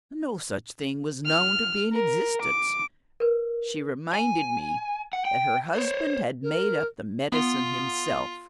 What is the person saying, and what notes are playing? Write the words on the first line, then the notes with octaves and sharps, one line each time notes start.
No such thing was known to be in existence--she reminded me that her husband had made up the medicine himself.
F6
A#4
D6
A#4 B4
G#5
F#5
G5
C5 C#5
A#4
B3 F4